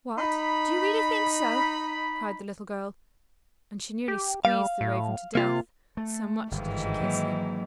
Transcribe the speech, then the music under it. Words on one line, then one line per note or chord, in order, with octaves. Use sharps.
"What, do you really think so?" cried the little girl; and she nearly squeezed the Raven to death, so much did she kiss him.
D#4 B5
G4
G3 F5
A2
C3 A#3 F4
A3
G1 G#2 D#3 E3
F#3 A#3